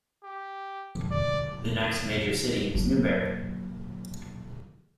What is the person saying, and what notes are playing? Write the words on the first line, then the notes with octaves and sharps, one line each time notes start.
The next major city is Newberry.
G4
D5
F#3 A#3